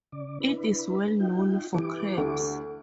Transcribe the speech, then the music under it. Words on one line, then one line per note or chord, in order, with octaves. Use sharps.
It is well known for crabs.
C#3 D5
D4 E4 B4
D#4 F4 G5
E3 E4 G4 D6
D2